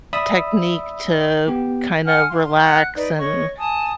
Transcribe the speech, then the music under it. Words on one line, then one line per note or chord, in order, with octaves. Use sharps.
technique to kinda relax, and
D5 E5 B5 D#6 E6
B3 G4
F#5 G#5 F6
F5 C6
F#5 F#6
D#4 B4 D5
C#5 D#5 C#6
G#5 A5 D#6